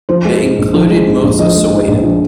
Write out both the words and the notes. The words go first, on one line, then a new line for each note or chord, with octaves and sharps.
It included most of Soweto.
F3 C5
G#3
G#2
A#1
F3
G#3
G#2
A#1
F3 D#5
G#3
G#2
A#1
F3